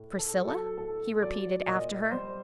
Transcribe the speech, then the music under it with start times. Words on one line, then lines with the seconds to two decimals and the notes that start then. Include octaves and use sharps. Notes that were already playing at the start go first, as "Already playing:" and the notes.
"Priscilla?" he repeated, after her.
Already playing: A2
0.19 A4
0.33 F#3
0.48 A4
0.77 A2 A4
1.22 F#3 D5
1.67 A#2 D#5
2.12 G3 C5